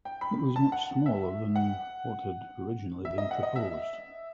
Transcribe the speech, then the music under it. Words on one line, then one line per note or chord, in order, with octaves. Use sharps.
It was much smaller than what had originally been proposed.
G5
B5
A5
F#5
E5
F#5
E5
D#5
F#5
D#5
E5